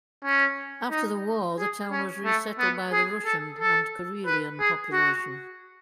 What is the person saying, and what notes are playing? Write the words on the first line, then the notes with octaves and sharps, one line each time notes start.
After the war, the town was resettled by the Russian and Karelian population.
C#4
D#4
G#4
C#4
A3
B3
G#4
A4
A4
B4
G#4
F#4